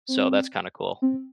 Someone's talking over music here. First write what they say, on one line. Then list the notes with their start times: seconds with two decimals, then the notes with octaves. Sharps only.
So that's kinda cool.
0.08 C4
1.02 C4